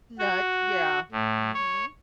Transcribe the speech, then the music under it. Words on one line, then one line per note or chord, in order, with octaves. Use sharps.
Nuts, yeah. Mhm.
F#4
A2
C#5